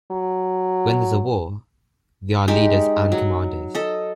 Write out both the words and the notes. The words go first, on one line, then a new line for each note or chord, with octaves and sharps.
When there’s a war, they are leaders and commanders.
F#3
G#3 D#4 G4
F#3
A4 D#5